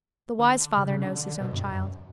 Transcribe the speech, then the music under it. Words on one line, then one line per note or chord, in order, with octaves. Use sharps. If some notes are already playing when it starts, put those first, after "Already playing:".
The wise father knows his own child.
D3
C#3
C#3
D3
D3
D3
B2
G2
F#2